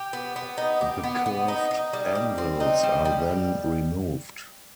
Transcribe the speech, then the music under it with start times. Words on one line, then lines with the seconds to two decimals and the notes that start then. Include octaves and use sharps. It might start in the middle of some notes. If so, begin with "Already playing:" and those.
The curved anvils are then removed.
Already playing: G4
0.13 B3
0.36 B3
0.58 D#4
0.81 G4
1.03 B3
1.26 B3
1.48 D#4
1.71 D#4
1.93 G3
2.15 G3
2.38 C4
2.60 D#4
2.83 G3
3.05 G3